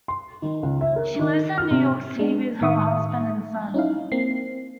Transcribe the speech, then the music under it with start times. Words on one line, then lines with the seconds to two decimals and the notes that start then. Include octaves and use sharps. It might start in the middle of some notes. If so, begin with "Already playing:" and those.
She lives in New York City with her husband and son.
0.08 C6
0.42 D#3
0.63 C#2
0.81 E5
0.96 A#4
1.19 D#3
1.58 F6
1.71 C3
2.19 G#3 D4
2.61 A2 D#3 E5 C#6 D#6
3.74 C#4 D#4 E4 F5
4.12 A#3 C4 C7